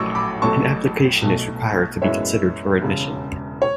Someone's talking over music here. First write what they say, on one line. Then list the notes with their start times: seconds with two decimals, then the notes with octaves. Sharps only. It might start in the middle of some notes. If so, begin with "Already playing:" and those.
An application is required to be considered for admission.
Already playing: A1 A2 F#3 A3 C#6 D6 E6
0.15 B5 D6
0.42 A1 A2 F#3 A3 A5 C#6
1.22 B1 B2 A3
2.02 F#2 E3 G#3 B3 C#5 E5
2.82 E1 E2 C#3
3.62 C#5